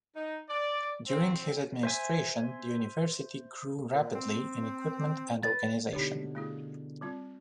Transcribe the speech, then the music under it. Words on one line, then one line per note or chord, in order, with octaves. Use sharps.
During his administration the University grew rapidly in equipment and organization.
D#4
D5
C4
C5 E5 G#5
A#2
C4
B4 A6
B2 D3 D#4 G4 C#5
A3 E4 G#4
G3 C4 F4